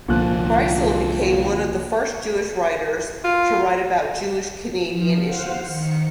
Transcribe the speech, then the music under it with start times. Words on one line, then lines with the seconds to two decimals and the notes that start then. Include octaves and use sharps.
Kreisel became one of the first Jewish writers to write about Jewish-Canadian issues.
0.08 C2 A#2 D3 F3 F#6
3.24 F4
4.89 F3
5.24 C5 F5 F#5
5.63 D#3 C#7